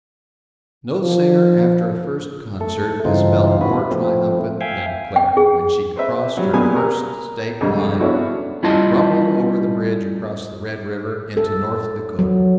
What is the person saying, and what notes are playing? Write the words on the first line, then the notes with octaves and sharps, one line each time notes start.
No singer after a first concert has felt more triumphant than Claire when she crossed her first state-line; rumbled over the bridge across the Red River into North Dakota.
F3
A3 A4
G2 C#3 E3 C4 D#4 F4
E4 F#4 B4
F3 A3 C4
E5 F5 G5 G#5
G5
G#4
C4 B4 E5
F#3 G3
A#2 A#3 B3 G4 G#4 G#5
A#4
C2 F2 G#2 D3 G3
B3 C#4 D4 E4 F#4 A4
G3 C#4 E4 F4 D#5 A5
A4
F#3